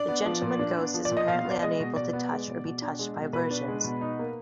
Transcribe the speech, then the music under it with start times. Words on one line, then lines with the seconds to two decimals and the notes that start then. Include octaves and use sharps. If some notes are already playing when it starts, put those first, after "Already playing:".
The Gentleman Ghost is apparently unable to touch or be touched by virgins.
Already playing: D4 D5
0.08 B3
0.26 F3
0.42 A#2
0.59 D4
0.77 B3
0.94 F3
1.05 D5
1.11 A#2
1.17 D#5
1.28 B2 F5
1.45 B3
1.51 D5
1.63 G#3 D#5
1.80 B2
1.96 B2 D5
2.13 B3
2.31 G#3
2.48 B2
2.65 B2
2.82 D4
2.99 G#3
3.17 B2
3.33 B2 B4
3.50 D4
3.68 G#3
3.84 B2
4.01 D#4
4.19 A#3